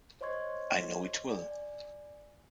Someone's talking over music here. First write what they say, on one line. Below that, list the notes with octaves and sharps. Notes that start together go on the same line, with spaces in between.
I know it will.
C5 C#5 D#5 C6 C#6 G#6
D5 G#5